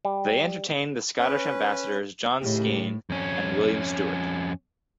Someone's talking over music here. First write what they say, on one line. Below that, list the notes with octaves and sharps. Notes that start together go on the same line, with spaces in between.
They entertained the Scottish ambassadors John Skene and William Stewart.
G3
C#4 B4
D#2 A2 C#3 G4
F2 C#4